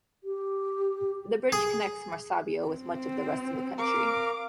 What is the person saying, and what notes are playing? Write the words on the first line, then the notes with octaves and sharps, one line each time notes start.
The bridge connects Maracaibo with much of the rest of the country.
G4
G#4
C4
A#4 F5 D6